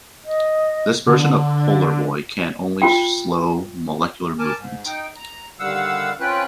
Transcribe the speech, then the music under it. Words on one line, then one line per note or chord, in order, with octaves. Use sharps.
This version of Polar Boy can only slow molecular movement.
D#5
D3
F4 G5
A#4 G#5 A5 D6
G#2
D#4 G5
A#5
D3 D#3 G3 F5 F#5 E6
C4 C#4 F4 B4 G5 F#6